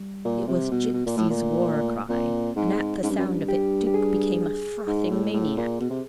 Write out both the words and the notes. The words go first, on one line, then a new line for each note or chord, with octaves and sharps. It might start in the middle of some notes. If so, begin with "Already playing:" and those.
It was Gipsy's war-cry, and, at the sound of it, Duke became a frothing maniac.
Already playing: G3
A#2
C3
B2
B2
A#2
A2 A3
A#2
A#2 C4
G#2
G#2 C#4
G2
F#2
G2
G4
G4
G#4
G#2
A2
A2
A#2
B2
C3